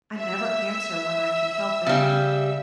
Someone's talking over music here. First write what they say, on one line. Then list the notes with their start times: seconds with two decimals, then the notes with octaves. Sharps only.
I never answer when I can help it.
0.17 E5 E6
1.86 C#3 G3